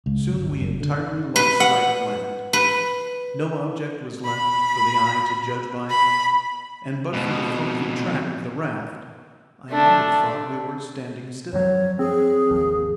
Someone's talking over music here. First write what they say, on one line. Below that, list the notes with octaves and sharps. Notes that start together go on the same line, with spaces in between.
Soon we entirely lost sight of land; no object was left for the eye to judge by, and but for the frothy track of the raft, I might have thought we were standing still.
C#2
G1
F#1
D3
B4
F#5
B4
B5
B5
F2 B2
A3 D4
F#2 F3 F#3 C#5
C4 G#4
G#1 D#2 F3